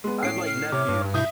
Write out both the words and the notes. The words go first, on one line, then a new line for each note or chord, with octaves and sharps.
I have, like, nephews.
G#3 B3
A2 C#4 C7 D7
F6
C3 C#5 D6
G2
B2 E4 E5 D#6 G6